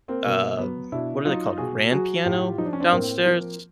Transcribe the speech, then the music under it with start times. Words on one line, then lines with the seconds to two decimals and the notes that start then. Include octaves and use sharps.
um what are they called, grand piano downstairs?
0.08 A#3 C4
0.25 B2 A#3
0.58 F#3 B3
0.92 B2 D4 E4
1.25 F#3 D#4 F4
1.58 B2 F#4 G#4
1.91 F#3 F#4 G#4
2.25 A2 F4 G4
2.58 F3 D#4
2.66 D4
2.73 C#4
2.80 C4 D4
2.91 A2 A#3 C4
3.26 F3